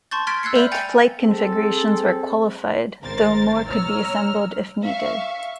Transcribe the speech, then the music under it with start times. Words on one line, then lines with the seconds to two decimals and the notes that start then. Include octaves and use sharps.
Eight flight configurations were qualified, though more could be assembled if needed.
0.11 A5 C6 C#6 G6 A6
0.27 C6 F6 G#6 A6 B6 D7
0.43 E6 F#6 G#6 C7 C#7
0.55 D5 E5 B5 E6 F6 G6
0.72 G5 G#5 G6 A6 C#7 F7
1.20 C4 G#4 A4
3.02 G#1 A#4 C5 A6
3.68 C#5 A#5 E6 F6
4.83 E5 F5 C#6